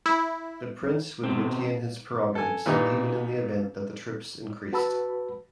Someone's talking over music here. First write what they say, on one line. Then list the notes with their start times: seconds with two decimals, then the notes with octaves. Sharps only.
The Prince would retain his prerogatives even in the event that the troops increased.
0.06 E4
1.24 B2 C4
2.35 A4 G#5
2.66 A#2 E3 G3 D#4
4.73 F#4 B4 A5 B5 E6